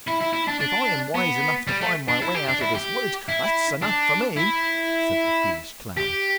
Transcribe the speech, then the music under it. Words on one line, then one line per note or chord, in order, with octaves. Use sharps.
"If I am wise enough to find my way out of this wood, that's enough for me," said the foolish clown.
E4
E4
E4
D4
D4
B3
G3
A3
D4
E4
G4
D4
E4
G4
E4
D4
E4
G4